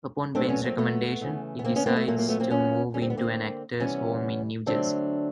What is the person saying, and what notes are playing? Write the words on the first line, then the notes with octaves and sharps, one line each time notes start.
Upon Ben's recommendation, he decides to move into an actors' home in New Jersey.
A#2 F#3 A3 C4 D4
B3 C#4
A#3 C4
A3 B3
C#3 E3 A3
B3
A#3 C4
B3 C#4
A#3 C4
A3 B3
A#2 F#3 A3 A#3
A#3
A3 B3
A#3 C4
B3 C#4
D3 G3 C#4
C4
B3
A#3 C4
C3 E3 G3 B3 C#4
D3 F#3 A3 C4 D4